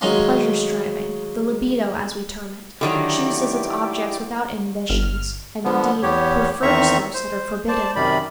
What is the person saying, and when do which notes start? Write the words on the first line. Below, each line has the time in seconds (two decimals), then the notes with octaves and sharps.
The pleasure-striving--the libido, as we term it--chooses its objects without inhibitions, and indeed, prefers those that are forbidden.
0.01 D#3 F#3 G#3 C#4 D#4 F4
2.81 D3 D#3 F#3 E4 G4 D5
4.89 G1 F6
5.64 D3 F3 B3
6.03 E2 B3 G4 C#5
6.62 E2 D#3 C4 E5 A#5 C#6
7.14 C5
7.68 C5 D5 A5
7.96 F#2 C3 D#3 D5 B5